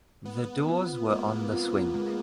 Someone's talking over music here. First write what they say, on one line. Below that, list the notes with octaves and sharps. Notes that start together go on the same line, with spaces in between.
The doors were on the swing.
G#3 B3
C4 F4
G#3 A#3
C4 F4
G#3